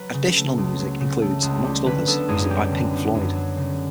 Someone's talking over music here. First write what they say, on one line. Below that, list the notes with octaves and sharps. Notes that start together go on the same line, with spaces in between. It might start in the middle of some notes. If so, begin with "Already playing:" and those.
Additional music includes, amongst others, music by Pink Floyd.
Already playing: F#3 B4
C#3
A3
C#2
F#3
C#3
A3
C#2
G3
D3 B4
B3 A4
F#2 G#4
G3 G4
D3
B3
F#2
F#3
C#3